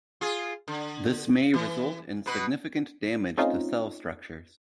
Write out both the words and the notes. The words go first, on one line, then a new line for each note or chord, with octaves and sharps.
This may result in significant damage to cell structures.
F4 G#4
D3
E3
B2 B4
A3 C4 C#4 D#4 F4